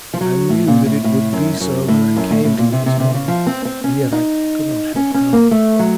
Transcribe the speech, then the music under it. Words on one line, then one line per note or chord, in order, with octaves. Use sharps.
I knew that it would be so when I came to you this morning; and yet I could not help coming.
F3
F#3
A2
A#2
A2
A2
F#2
F#2
A2
F#2
A2
A2
A#2
C3
C3
C3
C#3
F3
C4
C4
C#4
D#4
C#4
C#4
A#3
A3
F#3